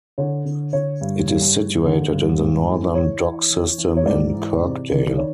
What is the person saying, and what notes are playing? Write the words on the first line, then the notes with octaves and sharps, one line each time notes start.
It is situated in the northern dock system in Kirkdale.
D3 C#5
D3
D3 C#5
G2
G2
G2
D3
G2
G#2
E3
E3 C#5
E3
E3
E3
C#5
G#2 D5
E3
C3
D#3
D#3 C#5